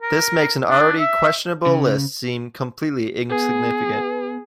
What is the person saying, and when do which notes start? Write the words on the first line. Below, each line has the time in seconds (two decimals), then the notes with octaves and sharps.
"This makes an already questionable list seem completely insignificant".
0.02 A#4
0.68 D4
0.99 E5
1.66 C#3
3.30 B3 G#4